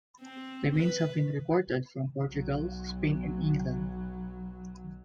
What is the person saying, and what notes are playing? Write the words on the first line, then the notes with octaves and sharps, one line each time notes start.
Remains have been reported from Portugal, Spain and England.
C4
B4
B1 F#3